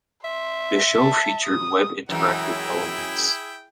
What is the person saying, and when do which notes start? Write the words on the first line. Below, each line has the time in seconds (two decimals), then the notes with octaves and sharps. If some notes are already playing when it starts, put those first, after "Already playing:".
The show featured web-interactive elements.
0.24 E5 C6
0.97 A5
1.45 D#6
2.09 F#2 E3 G#3 E4 G#4 G5